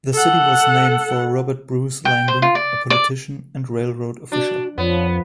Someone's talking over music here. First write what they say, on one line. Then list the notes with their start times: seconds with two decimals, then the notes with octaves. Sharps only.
The city was named for Robert Bruce Langdon, a politician and railroad official.
0.14 A4 F#5
2.05 G5
2.28 C5
2.42 F4
2.55 D5
2.90 D5
4.32 D4 F#4
4.78 F2 F3 B3 C#5